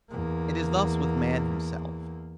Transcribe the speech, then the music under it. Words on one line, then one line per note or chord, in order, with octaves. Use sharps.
It is thus with man himself.
E2 A#3